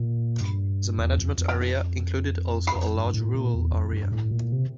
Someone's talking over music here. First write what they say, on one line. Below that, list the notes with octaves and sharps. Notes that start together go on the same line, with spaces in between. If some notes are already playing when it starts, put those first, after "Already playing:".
The management area included also a large rural area.
Already playing: A#2
G2
E2
F2
F2
F2
G2
A2
A#2
E2
F2
G2
A2
A#2
C3